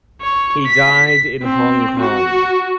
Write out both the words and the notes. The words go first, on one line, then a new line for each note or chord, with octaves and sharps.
He died in Hong Kong.
C#5
B6
C4
F#4